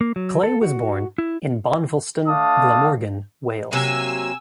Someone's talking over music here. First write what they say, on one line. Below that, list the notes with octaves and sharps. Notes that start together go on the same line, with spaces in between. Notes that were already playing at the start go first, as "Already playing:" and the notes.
Clay was born in Bonvilston, Glamorgan, Wales.
A#3
F#3
A4
F#4
E4
A3 D4 F5 A5 D#6
C3 F#3 A#3 G#5 E6